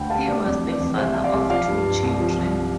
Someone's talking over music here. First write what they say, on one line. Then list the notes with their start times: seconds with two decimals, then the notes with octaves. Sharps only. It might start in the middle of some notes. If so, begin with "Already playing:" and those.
He was the father of two children.
Already playing: D2 G5 B5
0.10 G3 F5 A5
0.28 D2 D5 F5
0.45 F2 D5
0.63 E3
0.72 D5
0.80 F2
0.97 C2 C5 E5
1.15 G3
1.24 D5 F5
1.33 C2
1.50 F3 D5 F5
1.68 G2
1.85 G2
2.02 C2
2.20 F3
2.37 C2